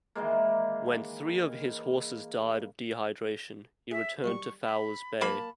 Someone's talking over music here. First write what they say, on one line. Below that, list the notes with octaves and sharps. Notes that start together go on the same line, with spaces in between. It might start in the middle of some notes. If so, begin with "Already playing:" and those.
When three of his horses died of dehydration, he returned to Fowler's Bay.
D#3 E3 G#3 A#3
G#4 E5
F#2 D#3 G3 C#6
B5
F#3 A#3 A5 B5